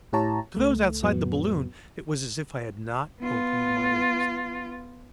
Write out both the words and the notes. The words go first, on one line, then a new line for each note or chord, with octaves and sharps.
To those outside the balloon it was as if I had not opened my lips.
A2 E4 G4 C#5 A5 A#5
C#2 A3
F2 A2 F#3 B3
B3 F4